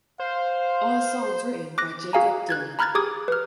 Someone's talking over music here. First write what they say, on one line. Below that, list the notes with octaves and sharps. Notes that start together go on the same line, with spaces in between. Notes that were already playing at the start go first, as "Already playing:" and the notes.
All songs written by Jakob Dylan.
C5 F5
D6 F#6 A#6
F#4 G#4 F5 G#5 A#5
F#6 G#6 A6
A#5 B5 F6 F#6 G#6 A6
G4 G#4 D6 D#6 G#6
B4 F6